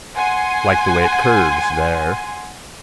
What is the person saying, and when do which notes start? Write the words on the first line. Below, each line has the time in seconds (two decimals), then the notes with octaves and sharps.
Like the way it curves there.
0.14 F#5 G#5 C6